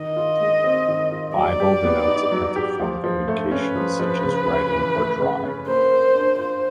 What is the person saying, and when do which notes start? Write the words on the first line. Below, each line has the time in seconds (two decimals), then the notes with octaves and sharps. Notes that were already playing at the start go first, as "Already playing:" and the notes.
Libel denotes a printed form of communication such as writing or drawing.
Already playing: D#3 D#5
0.16 F4
0.40 G#3
0.64 C4
0.88 D#3
1.12 F4
1.36 F#3 D5
1.60 G4
1.84 B3
2.08 D#4
2.32 F#3
2.56 G4
2.79 F3
3.04 F3
3.28 A3
3.51 C#4 B4
3.76 F3
4.00 F3
4.24 C#3
4.48 C#4
4.72 E3
4.96 A3
5.19 C#3
5.43 C#4
5.67 A#3 C5
5.91 A#4
6.15 D4
6.39 F4 C5